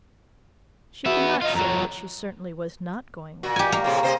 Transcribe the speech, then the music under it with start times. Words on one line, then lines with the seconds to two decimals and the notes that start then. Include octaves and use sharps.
She could not say that she certainly was not going with him.
1.06 B3 F#4 E5
1.41 D#4 F4 D#5
1.55 F2 F#3 A#5
3.43 A#2 F#4
3.56 G4 G#5
3.72 A#3
3.84 A2 C3 G#3
4.03 C3 C5 D#5